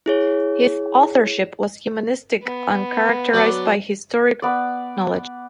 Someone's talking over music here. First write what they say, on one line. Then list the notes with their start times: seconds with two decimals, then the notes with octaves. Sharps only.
His authorship was humanistic and characterized by historic knowledge.
0.06 E4 G#4 C#5
2.43 B3
3.34 F#3 D4
4.42 B3 D5